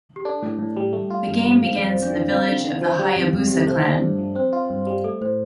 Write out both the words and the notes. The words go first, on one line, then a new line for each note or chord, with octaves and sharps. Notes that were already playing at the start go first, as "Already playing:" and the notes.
The game begins in the village of the Hayabusa clan.
G4
D4 A4
A2
A2
G3
A3
F4
G2
F3
F3 F5
F2 D5
C5
F2
D4 D5
D3
C4 F4 F5
D3
D3
F3
G3
F2
F2
C3 G4
A4
A3 C5
D4
G2
F3
C4 C5
F4
G2
G3
A3 A4
A2 C5